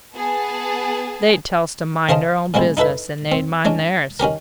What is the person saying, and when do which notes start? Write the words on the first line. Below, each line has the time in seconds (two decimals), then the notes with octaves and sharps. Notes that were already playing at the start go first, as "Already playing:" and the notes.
They'd tell us to mind our own business, and they'd mind theirs.
0.15 B3 G#4 A5
2.09 C#3 G#4 C5 D#5 A5
2.54 A2 G3 G#3 C4 E4
2.77 D#4 E4 A4 B4 E5
3.32 C4
3.65 G#3 C#4 D4
4.20 D#3 C#4 G4 A#4